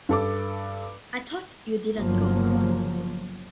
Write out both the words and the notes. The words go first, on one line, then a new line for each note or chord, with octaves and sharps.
I thought you didn't go.
G2 A4 D6
G1 C#3 F3 F#3 A#3